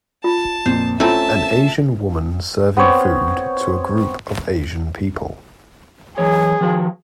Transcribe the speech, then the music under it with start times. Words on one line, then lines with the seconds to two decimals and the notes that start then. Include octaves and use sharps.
An Asian woman serving food to a group of Asian people.
0.24 F4 A5
0.66 F2 A#2 C5
1.00 A3 C4 C#4 E4 F4 E5 A5
2.77 B3 C4 C#5
6.18 F#2 E3 G#4 C#5
6.61 D#3 F3 F#4